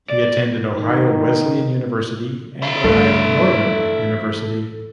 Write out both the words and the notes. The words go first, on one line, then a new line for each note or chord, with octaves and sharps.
He attended Ohio Wesleyan University and Ohio Northern University.
D5
D#3
E4 F5
G2 E3 A3 A4